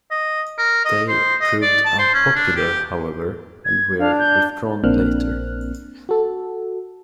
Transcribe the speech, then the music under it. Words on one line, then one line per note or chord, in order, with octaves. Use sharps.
They proved unpopular, however, and were withdrawn later.
D#5
A#4
D#5
C5
D#5
D5
A5
C5
C#4
D4
G4
G#6
D4 F5
G6
A#1 A#3 C4 D4 F6 F#6
F#4 A4